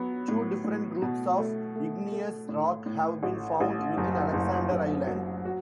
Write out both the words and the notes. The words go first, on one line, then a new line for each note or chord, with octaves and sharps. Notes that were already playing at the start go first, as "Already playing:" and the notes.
Two different groups of igneous rock have been found within Alexander Island.
Already playing: F#3 B3
A2
A2
B2
A3
A3
A3
A2
A2
A1
A1
F#1
F#1
F#1
F#3
F#4